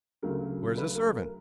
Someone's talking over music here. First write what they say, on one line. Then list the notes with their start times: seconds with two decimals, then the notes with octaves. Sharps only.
Where's the servant?
0.22 D2 C#3 F#3 A#4
0.77 B4
0.95 A#4
1.14 A#4